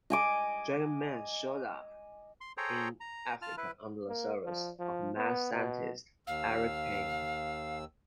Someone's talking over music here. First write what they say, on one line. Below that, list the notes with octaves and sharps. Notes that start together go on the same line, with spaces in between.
Dragon Man showed up in Africa under the service of mad scientist Eric Pain.
D#5 G#5 D6
C6
G#4 A4 C5 C#5 G5 A#5
A#5
F4 A5 F6
E4 B4
A#3
F3
F3
B3
B2
D#2 F5 E6